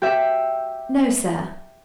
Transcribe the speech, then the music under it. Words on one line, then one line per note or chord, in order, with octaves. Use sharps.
"No, sir."
G4 E5